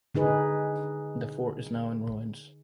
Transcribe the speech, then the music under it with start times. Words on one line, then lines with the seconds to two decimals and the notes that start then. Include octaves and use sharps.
The fort is now in ruins.
0.15 D3 D#4 G#4 B4